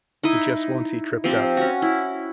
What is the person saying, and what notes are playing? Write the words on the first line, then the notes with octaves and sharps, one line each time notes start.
But just once he tripped up.
D#4 E4 D#5
F3 C4 G4
C#4 F#4
E4